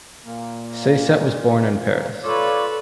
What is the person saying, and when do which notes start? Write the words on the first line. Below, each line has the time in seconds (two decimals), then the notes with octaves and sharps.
Saiset was born in Paris.
0.25 A#2 A#3
2.23 F4 A4 B4 C#5 D5